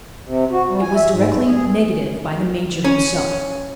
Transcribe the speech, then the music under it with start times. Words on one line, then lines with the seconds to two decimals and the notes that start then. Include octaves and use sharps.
It was directly negatived by the major himself.
0.25 C3
0.51 F#4
0.69 G3
0.82 G#5
0.94 E5
1.11 G#2
1.28 G2
1.46 G#4
2.85 C#4